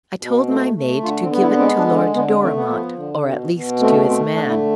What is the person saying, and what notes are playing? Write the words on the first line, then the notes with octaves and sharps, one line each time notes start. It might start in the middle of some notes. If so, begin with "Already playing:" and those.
I told my maid to give it to Lord Dorimont--or at least to his man.'
B2
A3
A3
D3 F4
C4
B3
E4
G#3 C4
D4
D3
C4
D3 B3
C4
A3 C4
B3
F3
D3
B2
B2
A3 C4
A3 C4
D3 D4
E4